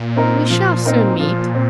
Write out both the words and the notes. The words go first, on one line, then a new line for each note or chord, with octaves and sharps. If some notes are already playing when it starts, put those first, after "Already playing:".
"We shall soon meet."
Already playing: A#2
C4 D#4 A#4
F3
C4 D#4 A#4
F3
C4